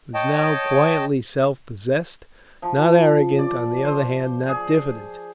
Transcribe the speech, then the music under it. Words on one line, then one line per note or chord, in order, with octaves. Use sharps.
He was now quietly self-possessed; not arrogant; on the other hand, not diffident.
C#5 D#5 G5 A5
F3
D5
C5
G#4